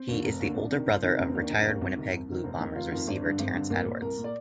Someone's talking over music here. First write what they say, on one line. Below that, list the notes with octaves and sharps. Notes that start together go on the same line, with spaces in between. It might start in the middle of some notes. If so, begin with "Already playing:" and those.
He is the older brother of retired Winnipeg Blue Bombers receiver Terrence Edwards.
Already playing: C4
D#2 D3
F1
D#2 D3
C2 D4
C3 D#3
C2 C4
C3 D#3 D#4
F1 C4
C4
D#2 D#3 D4
F1 D#4
D4
D#2 D#3
C2
C3 D#3
C2
C3 D#3
F1 C4
F2 D#3 D#4
F1 F4
F2 D#3 F4
G#1 D4
G2 D3
G#1 C4
G2 D3
C2 A#3
A#2
C2 A#4
A#2
D5